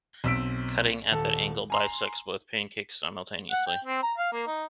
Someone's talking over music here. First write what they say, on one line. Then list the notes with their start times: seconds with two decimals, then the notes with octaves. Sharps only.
Cutting at that angle bisects both pancakes simultaneously.
0.24 B1 C4 E6 B6 D7
1.11 D#1 A4
1.70 G#5 A#5 C6
3.51 F#5
3.66 G5
3.85 C4
4.03 A#5
4.18 F5
4.33 A#3
4.47 D#4